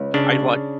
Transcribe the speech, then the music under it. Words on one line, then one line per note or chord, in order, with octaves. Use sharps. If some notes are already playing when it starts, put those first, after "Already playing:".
I'd watch
Already playing: C#2
C#3 D4